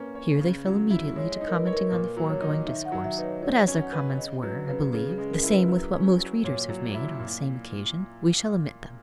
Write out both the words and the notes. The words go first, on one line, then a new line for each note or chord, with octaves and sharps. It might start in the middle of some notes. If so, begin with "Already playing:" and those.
Here they fell immediately to commenting on the foregoing discourse; but, as their comments were, I believe, the same with what most readers have made on the same occasion, we shall omit them.
Already playing: A#3 C#4 B4
C#5
C#3
F#3
E4
G#3 C#5
D#5
D#4
A#4
B4
C#5
A#4
A#2 A#4
F#3
C#5
D#4
D#3 E5
F#5
F#3
E5
D#4 B4
C#5
F#3 C#5
C#4
F#5
B4
C#5
C#3 D#5
F#3 B4
C#3 B4
C#3 G#4
C#4
G#3
A#4
E4
B4
F#3
C#4
F#3
A#2 C#5
F#3
E4
A#2